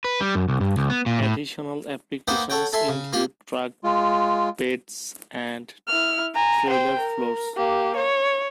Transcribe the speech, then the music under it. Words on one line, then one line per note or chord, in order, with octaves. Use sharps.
Additional applications include truck beds and trailer floors.
B4
G3
F#2
C2
G2
C#2
B3
A#2
A2
A#3 B3 D#4 C5 F#5 G5
A4 C#5 F#5 G5
A4 E5 G#5 C6
C#3
A#3 F4 G4
G#3 F4
E4 F6
G#5 A#5
C5 G5
A#4
A#3 G4
C#5